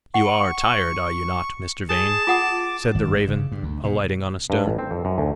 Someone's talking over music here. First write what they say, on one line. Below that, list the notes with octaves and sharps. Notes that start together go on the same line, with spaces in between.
"You are tired, are you not, Mr. Vane?" said the raven, alighting on a stone.
F#5 C#6
G#4 A5
F4 F#5 D6 D#6
G#1
G2
C#3
G2
D2
B2
G2
A1
C4
F2
F#2
D2